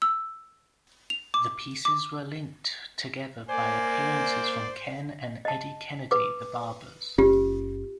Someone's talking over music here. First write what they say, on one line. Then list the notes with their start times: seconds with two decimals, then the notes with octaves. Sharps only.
The pieces were linked together by appearances from Ken and Eddie Kennedy The Barbers.
0.02 E6
1.10 F7
1.34 D6
1.85 D6
3.49 A#3 C5 D5 G#5
5.45 D#5 A5
6.11 B4 D6
7.18 F#1 C#4 F4 G4